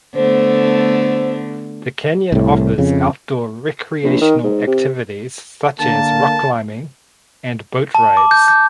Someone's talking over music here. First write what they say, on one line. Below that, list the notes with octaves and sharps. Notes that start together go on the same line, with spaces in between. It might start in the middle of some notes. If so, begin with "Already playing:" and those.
The canyon offers outdoor recreational activities such as rock climbing and boat rides.
D3 A3 B3 C5
C2 A2
F2 C#3
A#1
D#3
G#2
C3
D3 A#3 A5
A5
D6
G6
G6